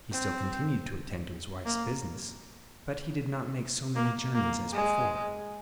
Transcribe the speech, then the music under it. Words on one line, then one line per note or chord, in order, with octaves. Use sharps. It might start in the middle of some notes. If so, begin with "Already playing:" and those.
He still continued to attend to his wife's business; but he did not make so many journeys as before.
C4
A#3
A#3
A#3
G#3